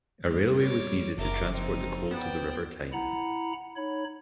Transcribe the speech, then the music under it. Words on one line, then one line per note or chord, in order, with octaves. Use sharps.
A railway was needed to transport the coal to the River Tyne.
G3
C#5 D6
F#1 A#4 D5 E5 D6
F3 C4 D#4
B3 C5 D5 G5
E4 F#5 A#5 B5
D#4 C#5 B5